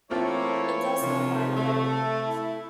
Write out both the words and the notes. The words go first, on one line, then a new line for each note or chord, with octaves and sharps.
It does not migrate.
E3 A3 A#3 C4 E4 F4 C#5
C3 D#3 F3
A3
E4